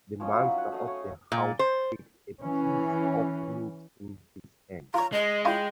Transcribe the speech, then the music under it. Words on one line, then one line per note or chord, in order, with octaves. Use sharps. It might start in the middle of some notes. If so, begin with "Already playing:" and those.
The master of the house takes a piece of meat in his hand.
F3 C#4 D#5
F#3 E4 F4 D#5
D#4 B5
F#5
A3 D#5 F5
C#5
A#2
C5
E3 C#4
F4 C#5 A#5
G#3 D#5
C#4 E4 F4 G5